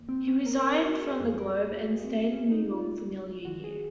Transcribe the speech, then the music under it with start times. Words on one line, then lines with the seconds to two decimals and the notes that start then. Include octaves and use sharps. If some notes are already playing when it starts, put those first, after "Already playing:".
He resigned from "The Globe" and stayed in New York for nearly a year.
Already playing: F#2 D#3 A#3
0.09 C4
0.27 C#4
0.46 A#4
0.64 A#4
0.83 F#4
1.02 G#4
1.20 F#2 F3 G#3 G#4
1.39 A#4
1.57 G#4
1.76 F#4
1.91 G#4
2.04 C4
2.19 C#4
2.33 C#4
2.51 D#4
2.71 F4
3.45 F#2 D#3 G#3 F#4
3.58 F#4
3.64 G#4